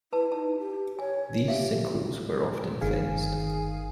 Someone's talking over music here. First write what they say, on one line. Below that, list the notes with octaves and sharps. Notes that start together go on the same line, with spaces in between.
These sinkholes were often fenced.
E4 B4 A5
D#4 A5
G4
C#5 G#5
G4 E5 F5
G1 D#3 G#4 F5 G#5